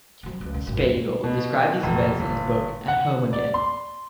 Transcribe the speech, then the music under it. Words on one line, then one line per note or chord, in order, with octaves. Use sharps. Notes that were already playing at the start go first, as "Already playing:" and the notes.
Spiegel described these events in his book At home again?
F3 F#3
C#2
D3
G#1 F#2
G3
B2
F1
G1
F#5
D5
C6